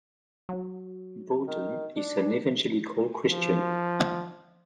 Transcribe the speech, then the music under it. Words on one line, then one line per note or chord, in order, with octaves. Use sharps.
Bowden is an evangelical Christian.
F#3
D#3
D4
F3